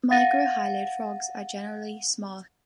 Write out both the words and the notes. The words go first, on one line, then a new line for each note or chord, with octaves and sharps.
Microhylid frogs are generally small.
F5 F#5 A6 A#6 D#7